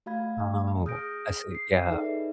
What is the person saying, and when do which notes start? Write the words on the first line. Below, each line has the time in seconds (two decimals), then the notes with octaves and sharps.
Oh, I see, yeah.
0.06 A3 F#4 F5 B5 G#6
0.85 G#4 D#6 F6 G6 A#6 D7
1.55 C7
1.90 D#4 G#4 A4 B4 D5 E5